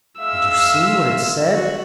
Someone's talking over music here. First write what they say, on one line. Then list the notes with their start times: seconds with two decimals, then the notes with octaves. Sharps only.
Did you see what it said?
0.20 G#3 E5 F5 E6
1.54 F#4